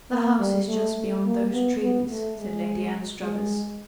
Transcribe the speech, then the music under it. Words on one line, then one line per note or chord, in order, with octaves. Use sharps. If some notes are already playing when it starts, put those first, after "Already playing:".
"The house is just beyond those trees," said Lady Anstruthers.
A#3
G3
A3
A3
A#3
B3
B3
A3
G#3
G#3